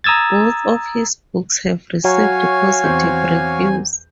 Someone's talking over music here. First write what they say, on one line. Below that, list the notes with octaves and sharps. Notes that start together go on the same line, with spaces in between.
Both of his books have received positive reviews.
A#5 D#6 E6 G#6 A6
F#3 F#4 C#5 F5 G#5
E2 C4 G6